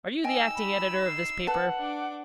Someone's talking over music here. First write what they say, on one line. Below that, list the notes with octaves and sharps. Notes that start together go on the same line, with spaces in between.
"Are you the acting editor of this paper?"
D#4 D#5 G5 G#5 E6
B5
C7
B4 F#5 A5
D4 D6